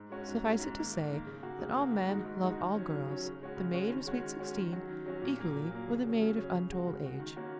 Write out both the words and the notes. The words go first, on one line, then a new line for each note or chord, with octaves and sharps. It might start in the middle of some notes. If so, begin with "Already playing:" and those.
Suffice it to say that all men love all girls-the maid of sweet sixteen equally with the maid of untold age.
Already playing: G#2
G#3 C#4 F#4
G#2
G#3 C#4 F#4
G#2
D#3 A#3
G#2
D#3 A#3
C#3
A#3 F#4
C#3
A#3 F#4
G#2
D#3 G#3 D#4 F#4
G#2
D#3 G#3 D#4 F#4
D#3
F#3 C#4
D#3
F#3 C#4
C#3
G#3 C#4 F#4
C#3
G#3 C#4 F#4
D#3
G#3 C#4 F#4
D#3
G#3 C#4 F#4
D#3
F#3 C#4 F#4
D#3
F#3 C#4 F#4
A#2
F#3 A#3
A#2
F#3 A#3
C#3
F#3 C#4
C#3
F#3 C#4
C#3
G#3 F#4
C#3
G#3 F#4
D#3
A#3 C#4 F#4